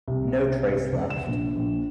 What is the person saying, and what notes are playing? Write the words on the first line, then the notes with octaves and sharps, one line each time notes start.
No trace left.
C2
C2
C#2
E7
A#1
A#1